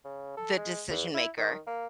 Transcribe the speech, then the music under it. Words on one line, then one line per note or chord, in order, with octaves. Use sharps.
the decision maker,
C#3
A4
G#3
E2
E4
D#3
A#3